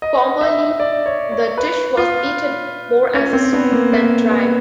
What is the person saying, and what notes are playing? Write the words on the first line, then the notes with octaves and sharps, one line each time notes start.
Formerly, the dish was eaten more as a soup than dry.
D#5
E5
D5
C#5
C#5
B4
F4
C#4
C4
B3
A#3
A#3
B3